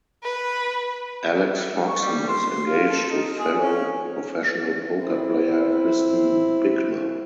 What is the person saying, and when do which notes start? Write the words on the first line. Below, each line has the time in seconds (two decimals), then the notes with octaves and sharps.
Alex Foxen is engaged to fellow professional poker player Kristen Bicknell.
0.23 B4
1.88 C#6
2.01 G3
2.28 C6
2.67 F4
2.90 A4
3.10 D#4
3.39 G#4
3.61 C#4
5.00 C4 E4